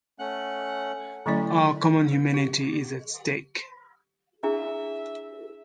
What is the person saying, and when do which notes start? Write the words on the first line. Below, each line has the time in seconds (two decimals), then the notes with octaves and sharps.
Our common humanity is at stake.
0.19 A3 C#4 F#5 F#6
1.26 D3 F#3 A3 C#4 E4 D5
2.34 G4
4.43 D4 E4 G#4 E5